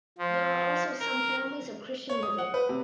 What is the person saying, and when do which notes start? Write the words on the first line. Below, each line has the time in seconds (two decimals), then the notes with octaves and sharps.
There are also some families of Christian living.
0.18 F3
1.00 A#4
2.09 C#5
2.23 D#6
2.38 F#5
2.54 B4
2.69 C3